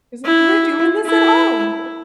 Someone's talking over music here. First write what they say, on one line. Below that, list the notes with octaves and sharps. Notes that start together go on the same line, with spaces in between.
he was like "We're doing this at home."
E4
E4